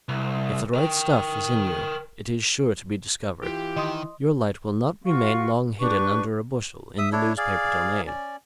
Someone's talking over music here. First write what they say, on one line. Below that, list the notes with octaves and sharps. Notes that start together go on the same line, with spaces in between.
If the right stuff is in you it is sure to be discovered; your light will not remain long hidden under a bushel in the newspaper domain.
C2
A#4 G5
E3 F4 G4
D#3 D#5 C6 D#6
F4 F#4 F5 C#6
D4 G4 B4 C#6
E5 D#6
D4 E4 A4 C#5
G#4 D5 F5
C#4 D5